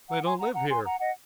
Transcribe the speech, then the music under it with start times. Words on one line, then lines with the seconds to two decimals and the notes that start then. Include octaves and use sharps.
They don't live here.
0.09 F#5 A#5
0.24 G#5 C6
0.39 F#5 A#5
0.55 F#5 A#5
0.70 G#5 C6
0.85 F#5 A#5
0.99 D#5 F#5